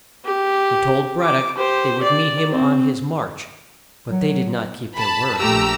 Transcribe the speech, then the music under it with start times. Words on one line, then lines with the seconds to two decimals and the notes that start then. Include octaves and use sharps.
They told Brad-dock they would meet him on his march, but they did not keep their word.
0.25 G4
1.21 D6
1.56 G4 C5
2.03 D5
2.50 C4
4.10 F#3
4.96 A5 B5
5.38 A#1 A3 G4 A#5 E6